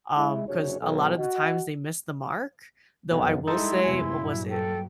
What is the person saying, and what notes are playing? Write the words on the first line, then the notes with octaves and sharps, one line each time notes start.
um, 'cause a lot of the times they missed the mark, though I will say What was it?
G#3 E4
F#1 C3 D4 F#4 G#4 C#5
B1
F#4 D#5 F#5
F#1 B1 F2 B4
G3 G#3 D#4 E4 A4 C6
F#1 E2 C3 E4 G#5
G2 A#2 F#3
A4 G5